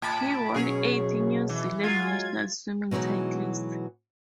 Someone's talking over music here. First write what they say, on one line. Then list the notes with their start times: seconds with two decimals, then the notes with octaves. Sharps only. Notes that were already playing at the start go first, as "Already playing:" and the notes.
He won eight New Zealand national swimming titles.
0.02 A2 A5 B5 D7
0.55 B2 F#3 C#4 G#4 C#5
1.49 E3
1.83 F#3 G#3 F4 G#6
2.91 B2 E3 F#3 G#3 D#4